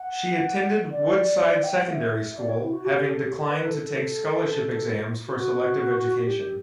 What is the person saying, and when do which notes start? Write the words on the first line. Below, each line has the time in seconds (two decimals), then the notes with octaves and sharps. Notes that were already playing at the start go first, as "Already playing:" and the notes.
She attended Woodside Secondary School, having declined to take scholarship exams for selective education.
Already playing: F#5
0.91 D5
1.63 G5
1.75 F#5
1.88 E5
2.36 D5
2.48 C#5
2.60 E4
2.73 F#4
2.84 G4
3.09 A4
3.24 G4
3.33 A4
3.50 B4
3.65 A4
3.81 A4
5.27 F#4
6.24 G4